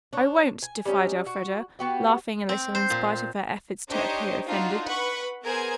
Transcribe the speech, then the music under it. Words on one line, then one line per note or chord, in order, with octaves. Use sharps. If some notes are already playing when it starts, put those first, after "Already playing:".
"I won't," defied Elfreda, laughing a little in spite of her efforts to appear offended.
D4 C#5
G#5
G3 C#4 D#4
F#4
B3 F#4 G4
C4
C5
A#2
D4 D#4 G4 C5 C#5 D#5
D4 D#4 F4 F#4
B4 F#5 B5 C#6
B3 G#4 A#4 C5 G#5 G#6